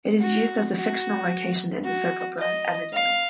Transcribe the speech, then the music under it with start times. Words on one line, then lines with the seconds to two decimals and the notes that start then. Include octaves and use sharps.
It is used as a fictional location in the soap opera "Emmerdale".
0.21 F#4
0.76 F#4
1.84 F#4
2.39 D#5
2.93 F5